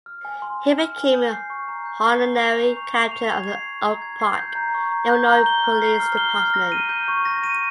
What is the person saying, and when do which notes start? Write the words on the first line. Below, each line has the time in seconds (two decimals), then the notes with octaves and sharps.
He became an honorary captain of the Oak Park, Illinois police department.
0.06 F6
0.25 G#5
0.42 C6
0.60 G#5
0.78 F6
0.97 G#5
1.14 G6
1.33 C7
1.50 C#6
1.68 A#5
1.86 G6
2.04 C7
2.22 C7
2.40 F7
2.58 G6
2.77 C#6
2.94 C7
3.11 F7
3.30 G#6
3.48 C7
3.66 C#6
3.84 A#5
4.02 G#6
4.20 C7
4.38 G6
4.55 A#5
4.74 C#6
4.92 A#5
5.09 G6
5.28 A#5
5.46 G7
5.64 F6
5.82 C7
6.00 F6
6.17 G7
6.36 F6
6.54 A#6
6.72 D#7
6.89 G6
7.08 C#6
7.25 A#6
7.44 D#7